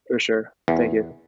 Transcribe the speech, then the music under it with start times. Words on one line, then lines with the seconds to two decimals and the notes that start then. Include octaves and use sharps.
For sure. Thank you.
0.68 E2